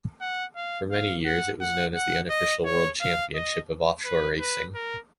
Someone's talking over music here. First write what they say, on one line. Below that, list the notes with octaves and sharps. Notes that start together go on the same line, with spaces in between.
For many years it was known as the unofficial world championship of offshore racing.
F#5
F5
F5
F#5
F#5
F#5
D#5
C#5
F5
D#5
B4
B4
A#4